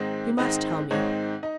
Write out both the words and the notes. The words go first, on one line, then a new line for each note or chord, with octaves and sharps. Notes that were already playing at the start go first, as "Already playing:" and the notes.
You must tell me.
Already playing: G#2 D#3 G#3 C4 D#4
G#2 D#3 G#3 C4 D#4
G#2 D#3 G#3 C4 D#4 C#5
D#4 D#5